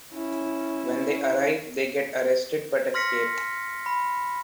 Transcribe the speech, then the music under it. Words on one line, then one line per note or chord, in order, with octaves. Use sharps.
When they arrive, they get arrested, but escape.
C#4 E4
C6 F6 A#6 B6 C#7
B5